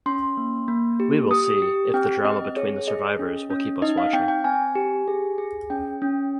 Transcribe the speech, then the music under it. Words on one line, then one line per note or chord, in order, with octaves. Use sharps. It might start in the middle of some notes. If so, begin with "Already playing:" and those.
We will see if the drama between the survivors will keep us watching.
C#4 C6
A#3
A#3
G4
G4 D#6
G4
C4 G5
C4 D#5
G#4 C#5
G#4 D#5
C#4
C#4
D#4 D#5
F5
C4 G5
G5
C4 G#5
G4
G#4
G#4
C#4 G5
C#4